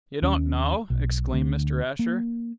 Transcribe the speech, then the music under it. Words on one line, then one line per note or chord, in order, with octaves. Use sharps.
"You don't know!" exclaimed Mr. Asher.
D#2 C#4
B1
D2
A#3